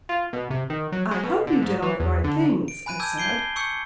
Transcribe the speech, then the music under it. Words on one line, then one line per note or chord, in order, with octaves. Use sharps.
"I hope you did all the right things," I said.
F4
B2
C3
D#3
F#3
G#3
B2
D3
G#2
E3
E2
D3
D7
G#5 B5 F#6 D#7
A5 D6 E6 G6 G#6
G6 G#6 C7 D7 G7
C#6 D6 E6 G6 C#7